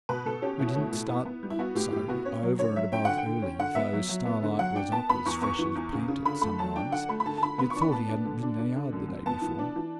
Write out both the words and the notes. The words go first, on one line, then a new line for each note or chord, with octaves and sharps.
We didn't start so over and above early, though Starlight was up as fresh as paint at sunrise, you'd thought he hadn't ridden a yard the day before.
B2 B4
B2 A4
C#4 G4
B2 E4
A3
A2
B3
B3
G3
E4
B3 F#4
A2 G4
A2 G4
B3 F#4
C#4 C#5
F#3
D3 C#5
F#3 E5
C#4 G5
D3 F#5
G5
D3
C#4
D3 F#5
B3 E5
F#3
F#3
B3
D3
F#3 F#5
D4 G5
B3 A5
B3 B5
E2 C#6
B3 C#6
E3
E2
C#3
C#3
D3 B5
A3 B5
F#3 A5
D4 G5
D3 F#5
A3 B5
B5
D3 A5
A5
D3 B5
B3 B5
C#6
D4
B5
B3 A5
D4
D3
D4
D4
D3
F#2
F#2
B3 A5
E3
D4
E3